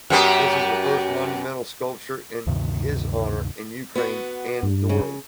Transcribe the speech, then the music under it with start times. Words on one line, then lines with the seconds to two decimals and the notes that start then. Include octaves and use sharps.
This is the first monumental sculpture in his honor in Ukraine and the world.
0.10 F#2 B3 G4
2.47 D2 G2 C3 D#3
3.95 B3 F#4
4.63 G2
4.89 C#3